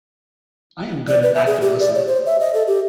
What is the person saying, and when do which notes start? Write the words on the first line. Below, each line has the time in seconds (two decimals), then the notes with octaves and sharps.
I am good at active listening.
1.08 D5
1.22 B4
1.34 E5
1.47 G#4
1.62 G4
1.80 D5
1.95 C#5
2.07 C5
2.26 E5
2.40 D#5
2.54 A4
2.67 G4